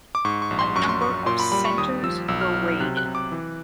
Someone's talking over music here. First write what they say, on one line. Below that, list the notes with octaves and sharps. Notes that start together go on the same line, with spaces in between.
A number of centers were raided.
D6
G#2 C#6
C#6
A#1
C6
F#2 C#6
C6
F#2 C#6
A#2 C6
B5
G3 B5
C#6
D#2 D#6
F3 E6
B1 E6
F6
F#3 F6
F6
C3 F#6
F#6
C3
D6
E3